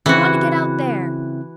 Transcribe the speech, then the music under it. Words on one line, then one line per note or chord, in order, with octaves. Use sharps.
We want to get out there.
C#3 E3 C4 E4 F#4